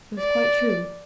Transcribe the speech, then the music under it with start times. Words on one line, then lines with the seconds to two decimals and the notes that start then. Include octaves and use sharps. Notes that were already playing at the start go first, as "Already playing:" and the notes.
It was quite true.
0.18 D5